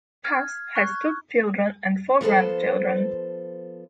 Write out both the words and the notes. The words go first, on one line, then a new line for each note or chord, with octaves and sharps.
Tass has two children and four grandchildren.
F6 G#6
C#6 F#6 G#6
F3 B3 A4 C5